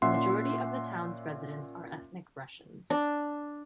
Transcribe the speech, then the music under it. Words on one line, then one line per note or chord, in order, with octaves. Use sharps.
The majority of the town's residents are ethnic Russians.
A#2 C#4 E5 F#5 C6
D4